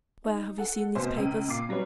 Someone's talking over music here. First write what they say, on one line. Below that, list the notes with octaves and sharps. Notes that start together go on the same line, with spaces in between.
"Where have you seen these papers?"
D#4
A4 F#5
F1 B2 C5
C#2 C#3 D#7
A#2 F4 D6 C7
F#3 G3 B4 C#5